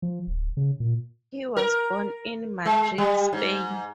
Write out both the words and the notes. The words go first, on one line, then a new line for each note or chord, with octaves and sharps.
He was born in Madrid, Spain.
F3
D1
C#3
A#2
A#4
G#3
G3
G#2